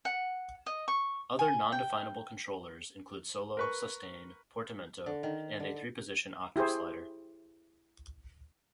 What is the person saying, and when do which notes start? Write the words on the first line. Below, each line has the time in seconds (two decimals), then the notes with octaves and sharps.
Other non-definable controllers include Solo, Sustain, Portamento and a three position octave slider.
0.05 F#5
0.66 D#5
0.88 C#6
1.39 G#5
1.72 G5
3.57 A#4 B4 C#6
5.06 D3
5.23 D#3
5.60 D3
6.56 E4 G4 G#4 C5